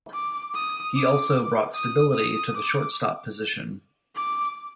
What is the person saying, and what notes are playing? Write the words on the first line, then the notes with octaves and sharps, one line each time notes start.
He also brought stability to the shortstop position.
D6
D#6
D6
D#6
D#6
D6
D6